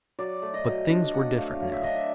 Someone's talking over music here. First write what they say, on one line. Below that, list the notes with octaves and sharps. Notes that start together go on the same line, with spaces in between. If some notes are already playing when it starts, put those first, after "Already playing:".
But things were different now.
F#3 D5
A3
D#5
F#3
D4 D#5
F#3 F#5
A3 F5
F#3 F5
E5
D4 D#5
E5